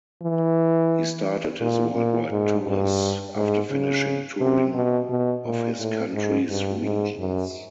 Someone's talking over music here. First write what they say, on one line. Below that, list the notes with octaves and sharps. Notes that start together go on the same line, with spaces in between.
He started his worldwide tours after finishing touring of his country's regions.
E3
A#2
A#2
G#2
G2
G#2
C#3
C3
B2
B2
A#2
A2
G#2
G2
G#2
F#2